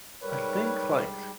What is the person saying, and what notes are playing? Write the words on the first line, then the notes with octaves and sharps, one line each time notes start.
I think, like,
G#2 G3 A#4 B4 C#5